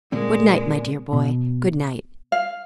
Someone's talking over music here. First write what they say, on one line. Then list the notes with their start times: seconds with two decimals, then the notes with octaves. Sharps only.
Good-night, my dear boy, good-night.
0.12 A#2 D3 G#3 C4 A#4 D5
1.13 B2
2.32 F5